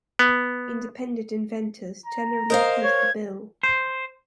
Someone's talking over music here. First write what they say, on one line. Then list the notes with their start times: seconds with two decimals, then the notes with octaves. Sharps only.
Independent inventors generally opposed the bill.
0.19 B3
2.06 A#5
2.50 A#4 C5 D#5 F5
2.84 C#5 G#6
3.63 C5